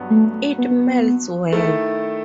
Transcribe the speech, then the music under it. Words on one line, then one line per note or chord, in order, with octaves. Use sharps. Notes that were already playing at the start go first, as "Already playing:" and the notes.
It melts well.
Already playing: G2 F#3 B3
A3
B3
D#3 A3 E4 A4